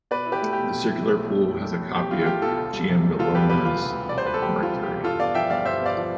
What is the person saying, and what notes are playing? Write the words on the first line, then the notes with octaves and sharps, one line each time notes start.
The circular pool has a copy of Giambologna's Mercury.
B2 B4 D5
E4
G4 B4
A3
B1 G4
B2
E4
A3
B1
B2
E4
A3
B1
B2 G4
E4 F4
F4
A3 G4
B1 F4 A4
D2
G3
C3
E1
D2 F4 A4
G3 G4 B4
C3 G4 B4
E1 F4
D2
G3
C3 D5
C5
E1 B4
A4
D2 G4
G3 F4
C3
E1 G4
G2 F4 A4
B3 D5 F5
F3 E5 G5
G1 D5 F5
G2 C5 E5
B3 D5 F5
F3